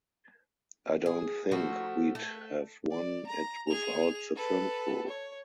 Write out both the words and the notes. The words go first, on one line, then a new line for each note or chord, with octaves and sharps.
I don't think we'd have won it without the film crew.
G#4
F3 A3 F#4
A3
D5
A#5
G#4 F7
A4 B4
C#5